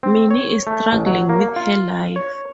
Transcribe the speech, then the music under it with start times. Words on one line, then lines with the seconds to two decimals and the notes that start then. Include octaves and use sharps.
Minny is struggling with her life.
0.03 C4
0.31 C#5
0.67 A3
0.93 A1
1.06 F#3
1.29 A#3
1.56 F4
2.16 C#5